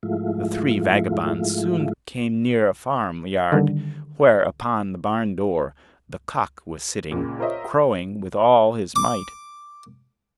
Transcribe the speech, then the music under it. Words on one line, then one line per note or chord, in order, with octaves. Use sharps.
The three vagabonds soon came near a farmyard, where, upon the barn door, the cock was sitting crowing with all his might.
G#2 F3 G#3 A3 E4 F4
D3 D#3 G3
C#2 A#2
F4 A#4 C5 C#5 D#5 E5
D6